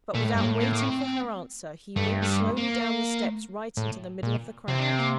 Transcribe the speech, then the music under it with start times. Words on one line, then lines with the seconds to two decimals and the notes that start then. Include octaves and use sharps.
But without waiting for her answer, he went slowly down the steps right into the middle of the crowd.
0.15 A#2 A3
0.24 A2
0.34 G2 A#3
0.44 A2
0.61 A#3
0.73 A#3
0.83 C4
1.96 G2 A3
2.22 A3
2.26 G3
2.57 A#3
3.77 A2
4.23 A#2
4.68 C3 C4
4.79 D4
4.90 C4
4.98 A#3